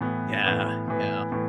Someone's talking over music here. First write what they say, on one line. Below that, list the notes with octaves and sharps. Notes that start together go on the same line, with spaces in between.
Yeah, yeah,
A2 E3 B3
A2 E3 B3
A2 E3 B3
A2 E3 B3